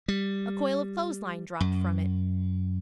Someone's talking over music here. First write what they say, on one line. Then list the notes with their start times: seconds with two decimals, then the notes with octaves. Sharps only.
A coil of clothes line dropped from it.
0.08 G3
1.60 F#2